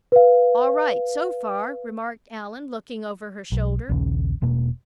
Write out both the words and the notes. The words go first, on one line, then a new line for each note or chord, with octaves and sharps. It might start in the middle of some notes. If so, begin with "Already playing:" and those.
"All right, so far," remarked Allan, looking over her shoulder.
B4 F5
B1
A#1 D#2 C#3
E1 B2 A#3